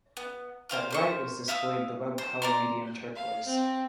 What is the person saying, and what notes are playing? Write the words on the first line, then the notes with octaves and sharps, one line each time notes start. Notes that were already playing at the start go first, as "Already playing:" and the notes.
At right is displayed the web color medium turquoise.
B3
A#4 C5 F5 F6
A#4 C5 C#6
E5 F5 D#6 E6
C5
D5 A#5 C6
F5
C4